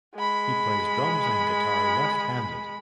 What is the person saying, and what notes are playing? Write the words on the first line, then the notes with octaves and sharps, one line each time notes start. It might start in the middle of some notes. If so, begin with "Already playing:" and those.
He plays drums and guitar left-handed.
G#3 B5